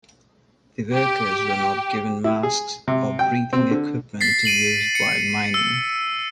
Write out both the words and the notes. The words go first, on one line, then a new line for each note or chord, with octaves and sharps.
The workers were not given masks or breathing equipment to use while mining.
G4
E4
G#4
C3
G5
C4
D3
A6 B6 C7
D7 D#7 F#7
C#7
E6